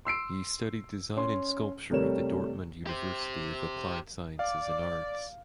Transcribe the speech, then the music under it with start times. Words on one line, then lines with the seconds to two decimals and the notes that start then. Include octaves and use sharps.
He studied design and sculpture at the Dortmund University of Applied Sciences and Arts.
0.05 C6 E6 C7 D7
1.17 C#4 C6
1.91 C3 G3 A3 A#4 C#5 E7
2.87 G4 C5
4.39 D5 F5